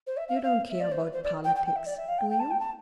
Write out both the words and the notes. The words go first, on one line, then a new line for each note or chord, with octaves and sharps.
"You don't care about politics, do you?"
C5
E5
F5
E5
F5
E5
D5
C5
B4
C5
D5
G5
G5
G5
E5
D5
E5
F5
G5
G5
A5
G5
A5